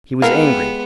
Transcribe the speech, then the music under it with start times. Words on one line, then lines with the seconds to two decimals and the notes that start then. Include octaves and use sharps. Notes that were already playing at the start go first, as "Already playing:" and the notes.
He was angry.
0.22 G#3 B3 E4 G4 A#4 F5